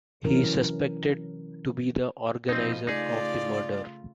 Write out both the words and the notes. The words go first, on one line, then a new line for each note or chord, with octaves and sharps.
He is suspected to be the organizer of the murder.
C3 E3 F#3 C#4 E4 A#4
B2 F3 C4 D#4 D#5
C#3 A3 D#4 F4 G#4 D5